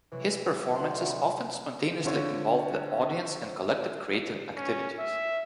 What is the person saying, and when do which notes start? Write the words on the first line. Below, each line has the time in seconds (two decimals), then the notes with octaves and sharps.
His performances often spontaneously involved the audience in collective creative activities.
0.12 C3 E3 F#3
0.76 D2 F#5 C6
2.05 D3 C4 F4 C5 C#5
4.56 C#4
4.99 E5